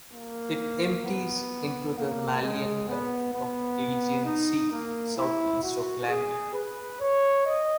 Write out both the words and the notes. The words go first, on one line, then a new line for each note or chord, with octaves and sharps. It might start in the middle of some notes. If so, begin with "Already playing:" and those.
It empties into the Malian Gulf of the Aegean Sea southeast of Lamia.
A#3
B3
A#3
G#3
B3
B3
D#4
A#3
E4
F#4
G#4
B4
C#5
D#5